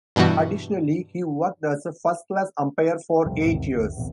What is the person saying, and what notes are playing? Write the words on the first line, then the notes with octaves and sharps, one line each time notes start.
Additionally he worked as a first class umpire for eight years.
G2 B2 E3 G3 F#4
B1 F2 C3 G3
A1 D#2 G#2 C3
F#1 D2
D1 A#1 E2 C3